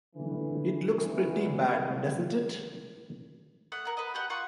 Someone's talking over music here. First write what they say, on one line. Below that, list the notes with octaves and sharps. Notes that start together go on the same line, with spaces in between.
It looks pretty bad, doesn't it?
D3 E3
F#1 E2 E3
C2 C3
A3 F#5 D#6
A#4 F#5
B4 D#5
F#4 G4 F#5
F4 F#5 C#6